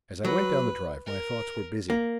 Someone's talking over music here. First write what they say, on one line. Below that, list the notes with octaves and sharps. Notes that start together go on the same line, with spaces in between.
As I went down the drive, my thoughts were busy.
F#3 B4
A#4
A#3